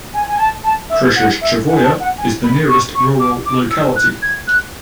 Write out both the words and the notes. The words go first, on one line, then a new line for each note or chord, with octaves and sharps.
Khryashchevoye is the nearest rural locality.
G#5
G#5
A5
A5
E5
F#5
E5
F#5
G#5
A5
F#5
G#5
B5
C#6
C#6
D6
D6
E6
F#6
G#6
F#6